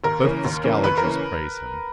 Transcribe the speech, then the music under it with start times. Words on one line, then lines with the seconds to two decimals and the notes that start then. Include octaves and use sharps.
Both the Scaligers praise him.'
0.04 D#2 A#4
0.24 C#3 E3 A#3 C#4
0.45 D#2
0.64 C#3 E3 A#3 C#4
0.83 D#2 B4
0.97 A#4
1.03 C#3 E3 A#3 C#4